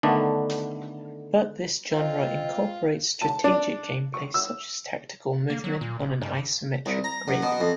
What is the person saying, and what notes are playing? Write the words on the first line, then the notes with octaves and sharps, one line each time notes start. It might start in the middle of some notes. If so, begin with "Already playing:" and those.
But this genre incorporates strategic gameplay such as tactical movement on an isometric grid.
D3 D#3 A3 B3 D4
C4 F4 D#5
A5
D4
C#6
E6
A#3
F#3
A#2
D1
G2
C2
A#5
F#2
B2
F2